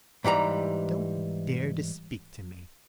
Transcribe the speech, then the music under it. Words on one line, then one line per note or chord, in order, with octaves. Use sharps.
"Don't dare to speak to me."
G#2 E3 G3 A#5